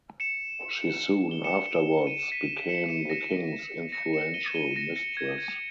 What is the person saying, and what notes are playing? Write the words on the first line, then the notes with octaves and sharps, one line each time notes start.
She soon afterwards became the king's influential mistress.
C#7 E7
G7
C#7 E7
D#7
E7
B6 D#7
C#7 E7
C#7 E7
A#6 C#7
A#6 C#7
C#7 E7
D#7 G7
E7
D#7 G7
A#6 C#7
A#6 C#7
G#6
G#6